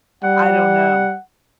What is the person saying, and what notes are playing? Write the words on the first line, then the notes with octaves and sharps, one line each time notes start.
I don't know.
G3 F#5